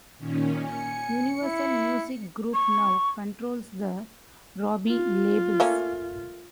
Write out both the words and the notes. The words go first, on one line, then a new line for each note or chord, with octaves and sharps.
Universal Music Group now controls the Robey labels.
A#2 D#3 C#4
G#5 C#7
E4
C#6
F4
A3 A#3 C#4